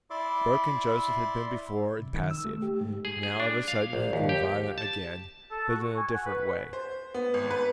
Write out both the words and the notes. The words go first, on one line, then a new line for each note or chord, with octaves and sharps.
Broken Joseph had been before and passive; now of a sudden he grew violent again, but in a different way.
E4 D5 E5 C6 D6
C3
D#3
E6
A3
G4
G#2
G#4
G#4
D4
F5
A#1
D#2
G4
A5
A4
F#4
C#6
G#5
F#5
B4
C5
B3
G#1
B4